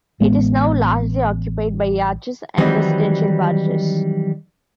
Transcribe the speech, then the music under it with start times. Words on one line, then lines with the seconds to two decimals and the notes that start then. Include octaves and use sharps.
It is now largely occupied by yachts and residential barges.
0.21 A1 G#3 B3
2.58 D#3 E3 F#3 G3 C4 D#4